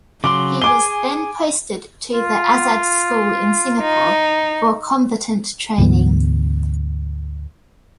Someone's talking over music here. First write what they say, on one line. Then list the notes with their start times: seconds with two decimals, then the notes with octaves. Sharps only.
He was then posted to the Azad School in Singapore for Combatant Training.
0.24 C#3 F#3 C6 D6
0.62 G#4 G#5 D6 G7
2.14 F4
3.81 D#4
5.78 D2 G#2 E3 B3